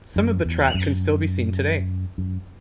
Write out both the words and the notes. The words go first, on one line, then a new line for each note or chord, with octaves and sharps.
Some of the track can still be seen today.
F#2
E2
F#2
F#2